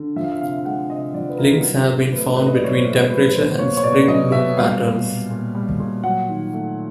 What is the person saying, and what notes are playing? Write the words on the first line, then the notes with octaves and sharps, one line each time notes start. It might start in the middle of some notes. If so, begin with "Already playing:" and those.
Links have been found between temperature and spring bloom patterns.
Already playing: D3
F3 E5
F5
E5
C3 F5
F5
G#3 F#5
C3 D#5
F3 D5
B4
C3 A#4
F#3
A2 C5
A3 B4
A2 B4
D#5
D5
F#3 C#5
C5
A2
F#3 B4
B2 C5
A#3 C#5
C#5
B2 D5
F#3 D#5
B2 E5
G3 F5
A#2
A#3
A#2
G3
A#2
F#3 F#5
D#3
A3